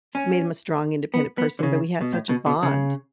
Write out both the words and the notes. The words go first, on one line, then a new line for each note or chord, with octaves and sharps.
it made him a strong, independent person, but we had such a bond
C#4
B3
B3
D3
C#3
B2
A2
B2
B2
C#3